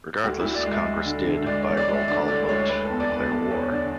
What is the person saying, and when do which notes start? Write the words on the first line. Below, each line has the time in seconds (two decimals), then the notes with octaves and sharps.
Regardless, Congress did, by roll-call vote, declare war.
0.24 D2 F#4
0.39 D2 E4
0.54 D5
0.65 G#3
0.71 E5
0.85 G#3
1.06 D3
1.27 D3
1.46 G#3 D5
1.62 G#3 C#5
1.77 D5
1.88 G#3 E5
2.08 D3 D5
2.28 D2 D5
2.49 G#3 C#5
2.69 G#3 B4
2.85 E2 A4
3.00 D5
3.09 E2
3.16 B4
3.30 E2 A4
3.51 E2 C#5
3.71 D3 D5